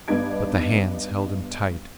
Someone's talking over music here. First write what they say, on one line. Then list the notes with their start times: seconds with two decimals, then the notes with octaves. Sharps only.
But the hands held him tight.
0.08 G2 B3 D4 D#4 G#6 D7